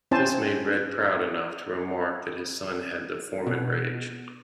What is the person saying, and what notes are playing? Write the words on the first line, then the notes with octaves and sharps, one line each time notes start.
This made Red proud enough to remark that his son had the Forman Rage.
C4 C#4 E4 C5 G#5 A5
B2